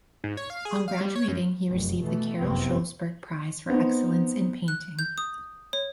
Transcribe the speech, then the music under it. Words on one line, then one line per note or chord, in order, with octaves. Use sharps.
On graduating he received the Carol Schlosberg Prize for Excellence in Painting.
G#2
C#5
F5
G#4
F5
G3
C#5
F#2
F1 C2 F#2
B2 E3 A3
F#1 C2 F2 C3 B3 C4
B3 C4 D#4
F#6
G6
D#6
C#5